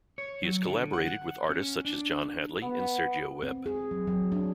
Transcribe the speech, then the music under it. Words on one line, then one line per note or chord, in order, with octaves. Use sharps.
He has collaborated with artists such as John Hadley and Sergio Webb.
C#5
F#3
D3
F#5
C#4
D4
B3
C4
G#4
F#3
F#3
D4